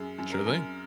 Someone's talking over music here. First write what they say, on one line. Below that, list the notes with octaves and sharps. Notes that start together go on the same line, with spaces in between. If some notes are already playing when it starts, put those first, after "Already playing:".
Sure thing.
Already playing: F#2 G#4
F#2
A#4
F#2